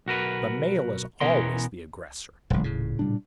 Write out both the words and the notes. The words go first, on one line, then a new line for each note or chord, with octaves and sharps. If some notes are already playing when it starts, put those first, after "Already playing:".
The male is always the aggressor.
B1 F#4 A#4 B4
B2 E3 B3 C#4 A#4 C6
D#1 A1 C#3 F#3 G#3
D#1 A2 C#3
A#2 G3 D4